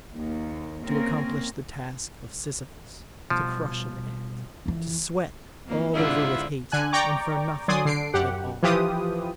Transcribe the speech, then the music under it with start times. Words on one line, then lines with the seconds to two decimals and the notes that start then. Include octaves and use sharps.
To accomplish the task of Sisyphus, to crush an ant; to sweat all over with hate, and for nothing at all.
0.12 D#2
0.83 A#3 C4 C#4 A#4
3.30 B2 F3 G3
4.66 F2 E3
5.65 F2 A#3
5.94 G#2 D3 B3 D4 E4 F4
6.72 D3 G#5 F#6
6.92 D5 G5 A#5 C#6 D6
7.68 F#3 D5 G#5 C6 D#6
7.85 D3 C7 D7
8.14 F#2 G4 F#5
8.63 E3 F3 F4 G4 B4 D#6